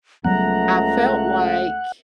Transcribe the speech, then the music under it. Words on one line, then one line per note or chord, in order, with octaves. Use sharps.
I felt like
C#2 C#3 F#3 G3 A3 B3 F#5 A#5